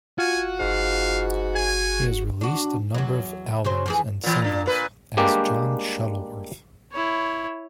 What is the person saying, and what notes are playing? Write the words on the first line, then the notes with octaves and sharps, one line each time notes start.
He has released a number of albums and singles as John Shuttleworth.
F4 F#4 G#5
G#2 F5
G#4 G#5
D4 F#4
E2 F#3
C#3 F#3 C5
F2 E3 G#4
A#2 E3
A#2 D4
A#2 B4
G3 G#3 A#3 D4 G4
E4 C#5